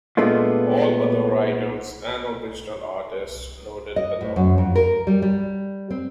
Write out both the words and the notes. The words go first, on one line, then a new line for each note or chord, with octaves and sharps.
All other writers and original artists noted below.
A#2 G#3 A3 B3 D4 F4
D#5
A2
F#2
F2
A#4
G3
G3
C4